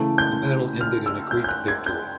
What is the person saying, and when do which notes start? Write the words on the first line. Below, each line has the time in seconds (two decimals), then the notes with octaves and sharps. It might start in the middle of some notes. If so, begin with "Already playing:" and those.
The battle ended in a Greek victory.
Already playing: C#3 E3 A3
0.18 G6
0.81 F6
1.06 E6
1.31 G6
1.44 G6
1.49 F#6
1.68 G#6
1.86 G6